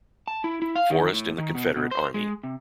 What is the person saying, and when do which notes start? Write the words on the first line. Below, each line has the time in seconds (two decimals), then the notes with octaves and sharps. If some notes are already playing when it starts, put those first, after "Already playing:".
Forrest in the Confederate Army.
0.28 A5
0.44 E4
0.62 E4
0.76 F5
0.90 D#3
1.13 A2
1.38 D#3
1.55 B2
1.76 B2
1.91 C5
2.14 G#3
2.44 C3